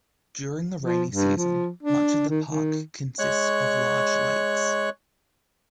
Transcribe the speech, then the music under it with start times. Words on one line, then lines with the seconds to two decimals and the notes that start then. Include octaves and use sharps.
During the rainy season, much of the park consists of large lakes.
0.82 F3
1.10 G2
1.37 F3
1.83 D4
2.29 D#3
2.46 D#3
3.19 G#3 C#5 C#6 F#6